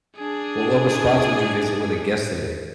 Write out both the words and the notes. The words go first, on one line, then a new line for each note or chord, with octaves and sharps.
What local spots would you visit with a guest today?
D4 G#4